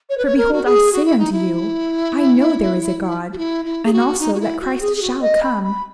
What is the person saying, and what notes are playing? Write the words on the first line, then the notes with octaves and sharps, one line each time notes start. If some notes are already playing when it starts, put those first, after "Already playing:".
For behold, I say unto you, I know there is a God, and also that Christ shall come.
C#5
B4
C#5
A#4
F#4
G#4
F#4
E4
D#4
E4
F#4
E4
E4
G#4
F#4
D#4
F#4
E4
F#4
G#4
G#4
F#4
D#5
B5
B5